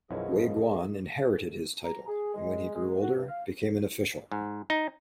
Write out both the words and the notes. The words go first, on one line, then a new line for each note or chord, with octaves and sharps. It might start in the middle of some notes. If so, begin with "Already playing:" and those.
Wei Guan inherited his title, and when he grew older became an official.
B1 F#2 F3 C#4 D#4 E4 G#4 D#5
A#5
G#4
G#3
G#3
F#4
G2
F5
G#2
D#4